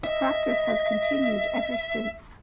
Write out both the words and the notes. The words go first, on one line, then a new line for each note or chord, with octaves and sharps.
The practice has continued ever since.
D#5 E5